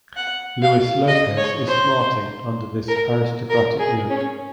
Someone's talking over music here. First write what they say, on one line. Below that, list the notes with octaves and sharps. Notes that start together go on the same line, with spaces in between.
Luis Lopez is smarting under this aristocratic yoke.
F#5
F5
D#5
C#5
C5
A#4
A#4
G#4
C#4